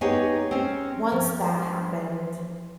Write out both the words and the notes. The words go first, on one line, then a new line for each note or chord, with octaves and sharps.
once that happened,
B3 D#4 G4 G#4 C#5
C4 C#4
F3